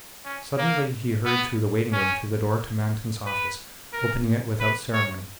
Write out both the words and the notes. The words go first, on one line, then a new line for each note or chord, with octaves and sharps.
Suddenly he hurried through the waiting room to the door to Manton's office, opening it without ceremony.
C#4
A#3
B3
C#4
B4
A#4
B4
C#5